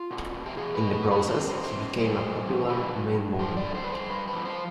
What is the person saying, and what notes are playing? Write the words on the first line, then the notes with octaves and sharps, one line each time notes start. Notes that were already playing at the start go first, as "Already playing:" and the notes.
In the process, he became a popular male model.
Already playing: F4
B2
B2
G4
B2 G#4
B4
B2
B4
B2
B4
B2 C5
B2
C5
B2
G2 C5
G2
F3
D3 B4
G2
G2
F3 C5
D5
D3
C5
G2 B4
C5
G2 B4
B4
F3
C5